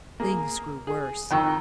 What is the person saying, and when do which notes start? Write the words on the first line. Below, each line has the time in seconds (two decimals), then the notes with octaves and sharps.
Things grew worse.
0.20 A#3 G#4
0.87 G#4
1.31 F2 D#3 G5 C#6 E6